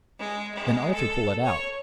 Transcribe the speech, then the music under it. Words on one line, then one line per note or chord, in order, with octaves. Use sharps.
Then Arthur pulled it out.
G#3
G#3
A4
C#5